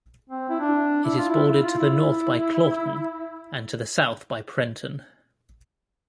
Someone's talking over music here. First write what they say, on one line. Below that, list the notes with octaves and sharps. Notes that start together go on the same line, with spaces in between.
It is bordered to the north by Claughton and to the south by Prenton.
C4
E4
D4
E4
F4
E4
E4
F4
E4